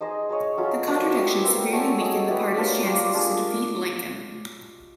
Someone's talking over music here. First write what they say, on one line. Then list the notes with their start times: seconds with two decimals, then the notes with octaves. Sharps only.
The contradiction severely weakened the party's chances to defeat Lincoln.
0.01 D#4 G#4 C5 D#5
0.29 D#4 G#4 C#5 F5
0.57 F#3 A3 C#4 F4
0.87 F3 A#3 D4 F#4
1.15 B3 E4 G4 C5
1.43 G3 C4 F4 A#4
1.72 A3 C#4 F#4 A4
2.00 D#4 G#4 C#5
2.29 E4 G4 B4
2.57 D4 F4 A#4 C#5
2.86 A#3 D4 G4 C5
3.14 D4 F4 G#4